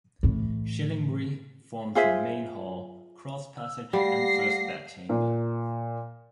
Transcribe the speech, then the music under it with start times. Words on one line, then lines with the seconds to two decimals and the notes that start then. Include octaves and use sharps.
Shillingbury forms the main hall, cross passage and first bedchamber.
0.23 A2 E3
1.95 F4 G#4 C5 E5
3.58 E6
3.93 G3 A3 G4 F5 F#5 A#6 C7
5.09 A#2